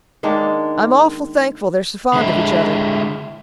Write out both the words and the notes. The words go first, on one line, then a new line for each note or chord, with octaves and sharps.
I'm awful thankful they're so fond of each other.
D#3 G#3 A#3 D4
D3 G#3 E4